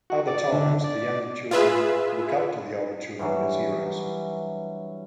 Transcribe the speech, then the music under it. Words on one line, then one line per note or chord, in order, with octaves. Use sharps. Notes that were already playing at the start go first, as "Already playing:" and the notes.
Other times the younger children look up to the older children as "heroes".
F#4
D5
D3
D5
F4 G#4 B4 E5
G2 E3 F#3